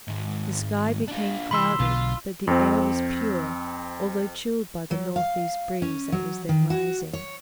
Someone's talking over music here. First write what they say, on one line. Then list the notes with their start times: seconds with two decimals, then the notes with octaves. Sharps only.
The sky became clouded, but the air was pure, although chilled by the northeast breeze that was then rising.
0.08 G#2 D#3
1.08 D4 F4
1.51 C2 E3 B5 C6 E6
1.80 B1 B2 D3 F4
2.47 F2 C4
4.91 F#3
5.16 F5
5.82 C#4
6.12 F#3
6.49 D#3
6.70 F#4
7.13 C#5